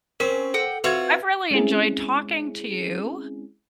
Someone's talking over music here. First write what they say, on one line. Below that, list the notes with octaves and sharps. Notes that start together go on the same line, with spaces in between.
I've really enjoyed talking to you.
C4 C#4 A#4
A4 F#5 G5 E6
C4 F4 F#4 B4 E5 G#6
G#3 C4 C#4 E4 G#4